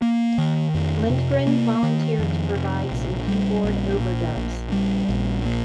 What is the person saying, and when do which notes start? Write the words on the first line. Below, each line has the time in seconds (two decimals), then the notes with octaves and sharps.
Lindgren volunteered to provide some keyboard overdubs.
0.02 A#3
0.38 D#3
0.74 F2
1.10 C3
1.47 A#3
1.83 D#3
2.19 F2
2.55 C3
2.91 A#1
3.28 G3
3.64 A#1
4.00 A#2
4.37 A#1
4.72 G3
5.09 A#1
5.45 A#2